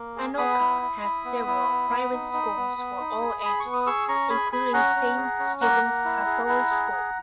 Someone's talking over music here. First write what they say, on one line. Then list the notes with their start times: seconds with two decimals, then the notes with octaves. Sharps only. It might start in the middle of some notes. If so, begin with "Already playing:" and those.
Anoka has several private schools for all ages, including St. Stephens Catholic School.
Already playing: A#3
0.16 G#4
0.38 B3 B5 D#6
0.60 E4
0.82 E4
1.03 E4
1.25 B3
1.47 E4
1.69 B3
1.90 B3
2.13 D#4
2.33 D#4
2.56 B3
2.78 B3
3.00 D#4
3.21 G#4
3.42 G#4 B5
3.60 B3 C#6
3.73 D#6
3.86 G#4 C#6 E6
4.08 C#4 A#5 C#6
4.30 G#4 G#5 B5
4.52 G#4 G#5 B5
4.74 C#4 F#5 A#5
4.96 C#4
5.17 G#4
5.39 C#4
5.61 A#3 F#5 A#5
5.83 A#3
6.05 E4
6.26 G#4
6.49 E4
6.71 G#4
6.92 G#4